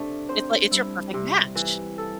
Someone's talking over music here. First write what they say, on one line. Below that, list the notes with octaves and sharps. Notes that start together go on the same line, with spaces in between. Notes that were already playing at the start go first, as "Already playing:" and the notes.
It's like it's your perfect match!
Already playing: C3 A3 C4 D4
C4 C5
G3 E4
C3 G3
E3
A4